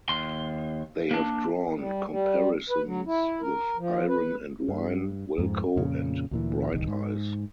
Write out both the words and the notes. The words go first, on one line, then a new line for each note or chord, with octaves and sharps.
They have drawn comparisons with Iron and Wine, Wilco, and Bright Eyes.
D#2 C6
A#3 D4
G3
G3
B4
F#3
E4
A#4
F3
B4
G2
F2 G#2
F2 A#2 C#3
D2 A#2 E3
D1 C2 D#3
G#2